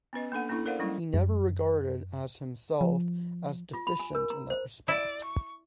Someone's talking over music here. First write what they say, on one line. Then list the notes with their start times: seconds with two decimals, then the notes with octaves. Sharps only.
He never regarded as himself as deficient in that respect.
0.13 B3 C#4 B4 D#5
0.32 A#3 D4 A4 F#5
0.49 A#3 C#4 D4 E4 A4
0.66 A4 A#4 C5 D5 F5 F#5
0.79 F#3 G3 A3 C#4 E4
1.14 F#2
2.81 F3
3.73 F4
3.87 B5
3.99 G#5
4.15 A#4
4.30 A#5
4.50 C5
4.88 E4 D5
5.24 C#6